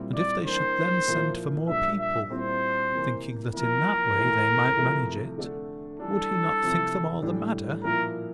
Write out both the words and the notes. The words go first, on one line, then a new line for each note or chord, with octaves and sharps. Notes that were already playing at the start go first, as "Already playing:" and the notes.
And if they should then send for more people, thinking that in that way they might manage it, would he not think them all the madder?
Already playing: A#2 G3 C4 E4
D5
E3 A#3 D4 C5
A#2 F3 A#3 E4
A#2 G3 D4 E5
E5
A#2 G3 C4 E4 C5
C3 E3 A#3
F3 A#3 E4 A#4
A2 E3 A3
C3 F3 A3 E4
D3 A3 D4
E3 G3 D4 A4
C3 F3 C4 E4
A2 E3 G3 D4
A#2 F3 A#3 E4 A#4